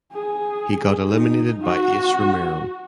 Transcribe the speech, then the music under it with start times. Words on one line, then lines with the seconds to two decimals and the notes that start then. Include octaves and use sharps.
He got eliminated by Ace Romero.
0.13 G#4
1.09 D#4
1.63 F#4